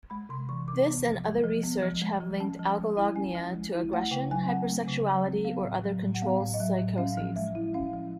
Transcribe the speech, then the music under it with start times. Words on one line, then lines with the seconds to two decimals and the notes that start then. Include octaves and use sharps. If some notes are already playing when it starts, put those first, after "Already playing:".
This and other research have linked algolagnia to aggression, hypersexuality, or other control psychoses.
0.10 G#3 B5
0.29 C3 C6
0.49 E3 C#6
0.68 C3 D6
0.87 B3
1.07 F3
1.25 G#3
1.44 F3
1.63 B3
1.83 F3
2.02 G#3
2.21 F3
2.40 C#4 A5
2.59 F3
2.78 G#3
2.97 E4
3.16 C#4 G#5
3.35 F3
3.55 G#3
3.74 E4
3.92 A3 F#5
4.11 C#3 G5
4.31 F#3 G#5
4.49 C4 F#5
4.69 A3
4.87 C#3
5.07 F#3
5.26 C4
5.45 B3 F5
5.64 A2
5.84 F#3
6.02 A2
6.15 F#5
6.22 B3 F5
6.40 A2
6.54 D#5
6.60 F#3 E5
6.79 A2
6.98 C#4 F5
7.17 F3
7.36 G#3 E5
7.55 E4
7.74 C#4 F5
7.94 F3